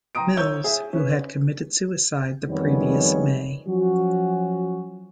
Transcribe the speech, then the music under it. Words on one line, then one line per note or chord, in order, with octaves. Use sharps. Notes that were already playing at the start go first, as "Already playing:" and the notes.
Mills, who had committed suicide the previous May.
G5 A#5 C6 D#6 D7
C#5 E6 G6
G#4 E5
C#4 B4
F2 D#3 G3 G#3 B3 C#5
F3 F#3 C#4 F#4